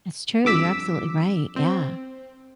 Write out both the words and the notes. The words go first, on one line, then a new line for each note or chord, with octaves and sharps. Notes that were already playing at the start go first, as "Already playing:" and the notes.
That's true, you're absolutely right, yeah.
G1 F2 D6 E6 B6
C4